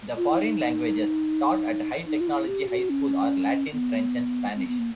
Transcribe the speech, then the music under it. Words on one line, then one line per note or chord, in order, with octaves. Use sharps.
The foreign languages taught at High Technology High School are Latin, French and Spanish.
F4
E4
D#4
D#4
F4
E4
G4
F#4
C#4
B3
C4
B3
A#3